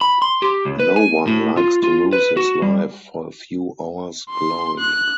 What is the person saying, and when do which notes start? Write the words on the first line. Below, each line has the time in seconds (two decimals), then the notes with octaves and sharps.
No one likes to lose his life for a few hours' glory.
0.01 B5
0.22 C6
0.42 G4
0.65 C#2
0.79 B4
0.96 G#5
1.27 A2
1.57 F4
1.83 F4
2.13 B4
2.37 F#4
2.62 G3
4.30 C6
4.79 F#6